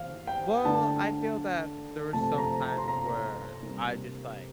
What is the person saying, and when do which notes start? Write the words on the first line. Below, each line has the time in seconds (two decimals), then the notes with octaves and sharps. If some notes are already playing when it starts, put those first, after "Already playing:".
W well, I feel that there were some times where I just, like,
Already playing: E3 G3 F5
0.27 G5
0.65 D3 A3 D4 A5
2.13 C3 F3 A3 A5
2.38 A#5
2.63 A#5
2.78 C6
2.88 A#5
3.63 C3 G3 A#3 D4